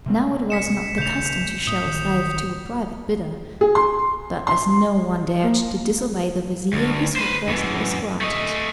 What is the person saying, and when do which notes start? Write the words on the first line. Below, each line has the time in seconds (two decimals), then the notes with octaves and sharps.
Now it was not the custom to show a slave to a private bidder, but as no one dared to disobey the vizir his request was granted.
0.06 C3 G3 C4
0.50 B6 C#7 E7
0.98 D#1 C#3 A3 G6 F7
1.67 A2 D#6
1.86 A1 D#3
3.61 G#4
3.75 C6
4.47 C6
5.43 A#3
6.73 D2
7.16 B4 C5
7.48 F#2 E3
8.21 A3 D#5